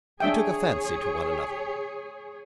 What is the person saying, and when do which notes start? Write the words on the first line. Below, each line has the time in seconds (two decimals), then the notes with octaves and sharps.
We took a fancy to one another.
0.20 D4 G#4 C#5 E5 G5